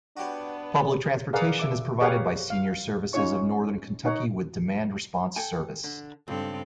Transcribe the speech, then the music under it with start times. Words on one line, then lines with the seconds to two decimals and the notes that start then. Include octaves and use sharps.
Public transportation is provided by Senior Services of Northern Kentucky with demand-response service.
0.17 B3 D4 F#4 G4 B4 C#5
1.33 G#4 A#4 B4 D5 F5 F#5
1.59 E5 D6
2.01 G4 G#4 A#4 C#5 F5 F#5
2.50 F5
3.13 C#4 D#4 F4 C#5 C#6
4.05 D#4 C#5 F#5
5.36 A4 G5 G#5
5.84 D3
6.28 C#2 G2 C4 A4